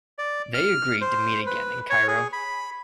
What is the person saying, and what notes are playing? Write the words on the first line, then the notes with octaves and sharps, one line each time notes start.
They agreed to meet again in Cairo.
D5
F6
C5
B4
C#5
G#4
B5